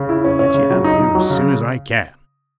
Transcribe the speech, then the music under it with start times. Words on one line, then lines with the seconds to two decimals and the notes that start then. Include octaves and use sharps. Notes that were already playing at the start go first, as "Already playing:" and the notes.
I'll get you out of here as soon as I can.
Already playing: C#3
0.09 E4
0.24 C#4
0.39 C#4
0.54 C#3
0.70 F#3
0.84 D#4
1.00 D#4
1.15 F#3
1.30 C#3